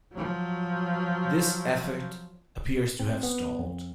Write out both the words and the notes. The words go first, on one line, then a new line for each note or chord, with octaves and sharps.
This effort appears to have stalled.
F3 F#3
C4
B3
F2